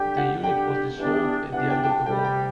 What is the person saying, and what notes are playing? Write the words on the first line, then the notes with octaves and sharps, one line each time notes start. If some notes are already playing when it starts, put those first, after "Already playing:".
The unit was dissolved at the end of the war.
Already playing: D3 G3 D4 G4 G5
F#5
D3 G3 D4 G4 G5
E3 G3 B3 D4
E3 G3 B3 D4 F#5
G5
G5
A5
D2 C3 G3 G5
G5